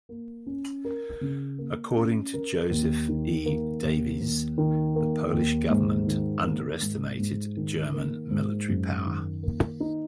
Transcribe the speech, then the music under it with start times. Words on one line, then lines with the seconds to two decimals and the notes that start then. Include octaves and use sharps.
According to Joseph E. Davies, the Polish government underestimated German military power.
0.09 A#3
0.47 C#4
0.85 A#4
1.21 C#3
1.58 A#3
1.96 C#4
2.33 A#4
2.71 D#2
3.08 D#3
3.46 A#3
3.83 D#2
4.21 D#2
4.58 D#3
4.96 A#3
5.33 D#2
5.70 G#2
6.07 D#3
6.44 A#3
6.82 G#2
7.19 G#2
7.57 D#3
7.93 A#3
8.31 G#2
8.69 F#2
9.06 D#3
9.43 A#3
9.80 D#4